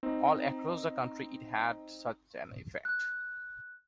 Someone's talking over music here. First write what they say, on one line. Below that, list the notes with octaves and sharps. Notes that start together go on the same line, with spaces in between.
All across the country, it had such an effect.
C4 D#4
F#6